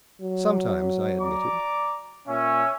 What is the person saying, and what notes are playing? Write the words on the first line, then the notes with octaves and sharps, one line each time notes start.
"Sometimes," I admitted.
F#3
D5 A#5 D6
A#2 C#4 E5